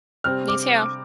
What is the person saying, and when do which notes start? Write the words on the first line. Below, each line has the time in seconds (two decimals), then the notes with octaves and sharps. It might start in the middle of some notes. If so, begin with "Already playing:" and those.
Me too.
0.24 C3 G3 C4 F6
0.48 D6